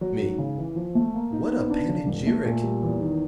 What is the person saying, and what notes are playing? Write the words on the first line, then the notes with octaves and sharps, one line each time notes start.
ME: What a panegyric!
F#3
G#2
C#3
E3
F3
A3
A#3
D#4
B3
D4
C#3
E1
A3
A#2
G3
E2
D#3